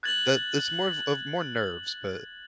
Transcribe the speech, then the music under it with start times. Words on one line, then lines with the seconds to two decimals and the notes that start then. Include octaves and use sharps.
that that's more of of more nerves, but
0.03 F#6 G#6 A6 F#7